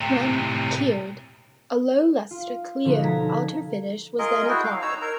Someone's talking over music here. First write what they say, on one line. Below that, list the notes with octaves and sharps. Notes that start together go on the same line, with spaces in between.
When cured, a low-luster clear outer finish was then applied.
A2 C3
F4
B2 D3 F3 A#3 B3 D#4
A5 A#5 G#6 B6
F4 G#4 A#4 D#5
E4 F#4 G5
F5
D#4 C#5 A#5 E6
A#4 A#5